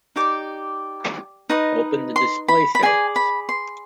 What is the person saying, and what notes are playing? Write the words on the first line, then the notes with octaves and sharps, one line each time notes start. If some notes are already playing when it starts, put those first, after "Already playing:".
Open the display settings.
D#4 G4 D5 D6
D#4 B4 D#5
C6
B5
B5
G#4 D5 G#5
B5
C6